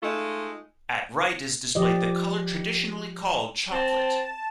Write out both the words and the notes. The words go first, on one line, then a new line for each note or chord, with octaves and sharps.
At right is displayed the color traditionally called "chocolate".
G#3 A3 D#4 F4
F3 G4 D5 D#5
C4 A5